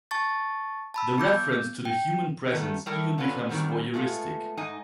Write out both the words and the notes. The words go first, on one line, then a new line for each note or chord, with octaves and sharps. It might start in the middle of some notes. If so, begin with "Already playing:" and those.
The reference to the human presence even becomes voyeuristic.
A5 C#6 A6
A5 B5 E6
B3 D6 G6
G5
D#3 G3 A3 B3
G3 A3 E4 A4 A#4 G5
A#2 D3 B3 C#4 B4
F#2 B2 D#3 G3 C4
G#3 A3 B3 E4 F4
G#2 D#4 D#5 G#5